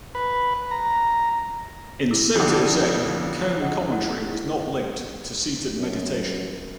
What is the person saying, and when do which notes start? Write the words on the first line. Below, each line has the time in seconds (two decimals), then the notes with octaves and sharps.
In Soto-Zen, koan commentary was not linked to seated meditation.
0.15 B4
0.71 A#5
2.11 E4 D6 E6
2.35 F2 D3 D#4 A#5
3.08 C#4 F5
3.60 G#4 D#5 F#5
3.91 E4 F#4 A#4
5.78 F#2